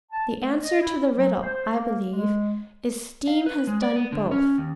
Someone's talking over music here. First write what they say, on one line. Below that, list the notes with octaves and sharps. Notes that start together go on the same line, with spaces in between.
The answer to the riddle, I believe, is--Steam has done both.
A5
A3
D#5
E4
F#3
C5
A#3
G#3
F5
B4
G#3
D5
B3
D3
C#4
D#2